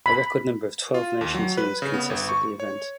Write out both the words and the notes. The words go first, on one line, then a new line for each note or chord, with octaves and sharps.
A record number of twelve nation teams contested the event.
B5
F4
D#2
F#3
B4
C#3
B3
G1
C#6
C#5